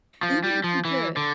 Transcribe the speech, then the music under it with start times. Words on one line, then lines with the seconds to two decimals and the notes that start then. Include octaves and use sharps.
Even if you could,
0.23 F3
0.44 G3
0.64 F3
0.85 E3
1.17 D3